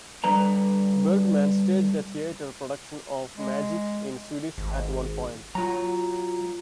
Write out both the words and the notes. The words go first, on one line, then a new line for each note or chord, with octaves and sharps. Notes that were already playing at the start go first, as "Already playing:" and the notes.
Bergman staged a theatre production of "Magic" in Swedish at one point.
D3 G3 B4 A#5
G#3
G#1
F#3 F4 A#5